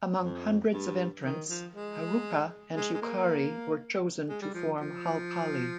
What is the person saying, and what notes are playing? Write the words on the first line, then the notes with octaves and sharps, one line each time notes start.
Among hundreds of entrants, Haruka and Yukari were chosen to form Halcali.
F2
G2
D#3
F3
G#3
G#3
G#3
A#3
G#3
G3
F3
F3